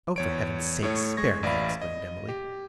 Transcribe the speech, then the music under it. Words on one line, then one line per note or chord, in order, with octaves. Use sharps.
'Oh, for Heaven's sake, spare me!' exclaimed Emily.
E2 C#5 D7
A2 A3 C#5
G#3 C#6 G#6 A#6
A1 D5 E5 F5 B5
D#5
G4